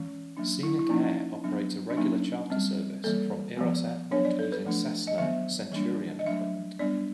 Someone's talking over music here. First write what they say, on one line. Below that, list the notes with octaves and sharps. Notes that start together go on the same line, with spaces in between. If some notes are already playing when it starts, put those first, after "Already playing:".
Scenic-Air operates a regular charter service from Eros Airport, using Cessna Centurion equipment.
Already playing: E3 G#3 C#4
F#3 A#3 D4
E4
E4
F3 A#3 C#4 D#4
F#3 B3 D4
D4
F#3 A#3 C#4 D#4
G3 C4
E3 G3 A#3 A4
F3 G#3 B3
F#3 B3 D4 C#5
D5
A4
B4
F3 A3 D4
D#5
D#3 F#3 B3 E5
E3 G3 A#3 D4
D#5
F#3 A3 D4 E5
G3 B3 D4 D5